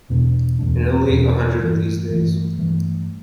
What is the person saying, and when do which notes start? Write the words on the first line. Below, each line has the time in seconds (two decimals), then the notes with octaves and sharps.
In Italy, A hundred of these days!
0.10 E2 B2 A3 D4
0.59 E2 B2 A3 D4
1.09 E2 B2 A3 D4
1.59 G2 E3 A3
2.09 G2 E3 A3
2.58 G2 E3 A3